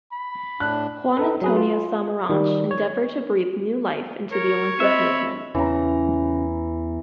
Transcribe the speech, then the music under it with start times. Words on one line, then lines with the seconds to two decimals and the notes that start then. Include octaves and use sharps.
Juan Antonio Samaranch endeavoured to breathe new life into the Olympic Movement.
0.12 B5
0.60 A2 D4 F#6
1.17 D#4 A4 B4
1.42 F#3 G#4 B4
1.57 F4
2.29 D#3 G3
2.71 C#5
4.32 A#4 C#5
4.80 C4 F4 C5 D#5 E5 B5
5.55 E2 C#3 E3 C#4 A#5